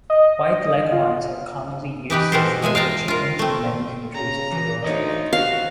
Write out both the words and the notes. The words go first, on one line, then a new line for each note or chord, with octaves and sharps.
White Leghorns are commonly used as layer chickens in many countries of the world.
D#5
F4
E3 D#4 G4 B4
B2 E3 C4 A4 A#4 C5
F3 G#3 E5 G#5
F5 G5 A5 A#5
F4 A#4
A3 C4
C#3 A#5
E3
D2 D#4 C#5 D#5
C3 F#4 F5